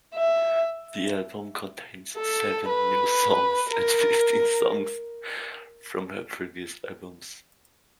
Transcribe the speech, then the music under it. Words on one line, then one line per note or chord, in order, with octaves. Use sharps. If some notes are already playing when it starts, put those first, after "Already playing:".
The album contains seven new songs and fifteen songs from her pervious albums.
E5
A4
B4
A#4